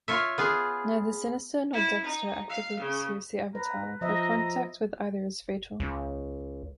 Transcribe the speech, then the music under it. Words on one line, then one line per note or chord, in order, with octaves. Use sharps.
Neither Sinister nor Dexter actively pursues the avatar, but contact with either is fatal.
F4 C#5 E5
B3 F4 G#4
E4
D#4
F5
C#3
B4 A#5
F3 D#5 E5 A#5
C#2